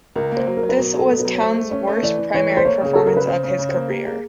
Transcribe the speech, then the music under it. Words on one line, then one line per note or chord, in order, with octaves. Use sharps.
This was Towns' worst primary performance of his career.
C#2 A#4
A#3
C5
F#3
A#4
F#3
B4
B2 A#4
F#3
A4
B2
B4
F#3
C#5
A3 C5
A3
C#4 C#5
A3
E3 D5
E3
E3 C#5
A3
C5
A#3 C#5
C#3 G#4
F#3 A4
A#4
C#3 B4
C#3 C5
C#3 C#5
C#3
C5
A#3
A#3 G4
A#3 G#4